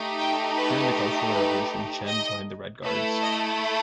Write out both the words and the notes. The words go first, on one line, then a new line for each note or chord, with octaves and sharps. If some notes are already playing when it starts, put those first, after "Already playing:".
During the Cultural Revolution, Chen joined the Red Guards.
Already playing: A3 D#4 G4
G5
B4
B4
D#5
A3 E4 A4 B4
D#5